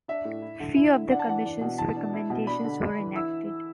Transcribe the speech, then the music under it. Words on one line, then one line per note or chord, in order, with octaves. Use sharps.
Few of the Commission's recommendations were enacted.
D4 E5
A2
E4
D3
E4
D3
D4 F#5
A5
E3 F#5
D4
B2
E3 A5
D4
E4
B2
D4 B5
D3
D4
E3
E4 E6